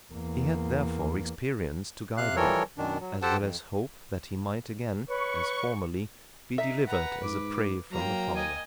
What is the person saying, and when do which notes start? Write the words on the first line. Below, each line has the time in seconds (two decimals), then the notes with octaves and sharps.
He had therefore experience to guide him, as well as hope, that he might again, as formerly, be delivered as a prey from the fowler.
0.13 E2 A#3
2.17 C3 F5 F#6
2.36 E3 F3 G3 A4 A#4 C#5
2.78 F#2 B2 D#3 D4
3.00 F#3
3.22 G4 A4 C5 F#5 G5 A5
3.37 F2
5.07 B4 C#5 C#6
6.58 D#4 E5
6.88 B4 F#5 A#5
7.23 G#2 D6
7.92 F#3 A#3 G5 A#5
8.35 D#5 G#5